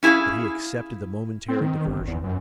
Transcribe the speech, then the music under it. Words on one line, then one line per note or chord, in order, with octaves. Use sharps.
But he accepted the momentary diversion.
C#4 E4 G4 G#4 F5
C4
D#3
G1
E2
F#2